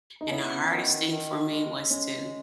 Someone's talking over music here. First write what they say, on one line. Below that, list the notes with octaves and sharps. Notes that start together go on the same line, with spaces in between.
and the hardest thing for me was to
D#4
B3 C#4 E4
D#3
D#3
G#3
G#3 C#4